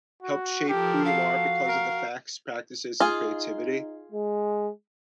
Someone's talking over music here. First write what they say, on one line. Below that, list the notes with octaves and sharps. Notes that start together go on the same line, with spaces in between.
help shape who you are because of the facts, practices, and creativity
F#4
F3 G4 A4 A#4
F#4 F5
A#4
D#4 F4 G#4
G#3